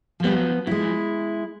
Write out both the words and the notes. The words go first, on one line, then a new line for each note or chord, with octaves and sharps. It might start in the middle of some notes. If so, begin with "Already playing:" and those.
Mm, mhm.
F3 B3
G#3 E4